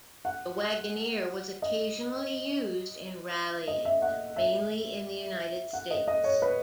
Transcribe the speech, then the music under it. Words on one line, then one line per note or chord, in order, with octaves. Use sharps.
The Wagoneer was occasionally used in rallying, mainly in the United States.
F#5
D#5
D#5
E5
F#5
E5
F#5
D#5
D#5
C#5
B4